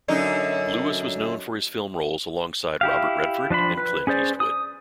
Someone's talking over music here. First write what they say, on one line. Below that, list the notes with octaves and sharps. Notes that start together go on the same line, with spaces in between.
Lewis was known for his film roles alongside Robert Redford and Clint Eastwood.
F#2 D3 D#4
E4 G4 F5
F3 D4 C5 B5
B4
C#4 G#4 C5 D5
D#6